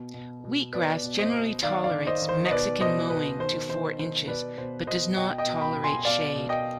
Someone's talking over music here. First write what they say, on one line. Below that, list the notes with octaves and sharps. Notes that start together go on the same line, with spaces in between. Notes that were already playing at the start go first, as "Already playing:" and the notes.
Wheatgrass generally tolerates Mexican mowing to four inches, but does not tolerate shade.
Already playing: B2
B2
B2
B2 B4 D5
B2
C5 D#5
B2
D#3 D5 F5
D5 F5
D#3
C5 D#5
D#3
C5
D#5
B2 B4 D5
B2 C5 D#5
B2 B4
D#3 C5
D#3 C5
D#3 C5
B2 B4 D5
B2 C5
B2 C5 D#5
B2 D#5 G5
D#5 G5
B2
G5 B5
B2
G#5 C6
B2 D5 F5
B2
D#5 G5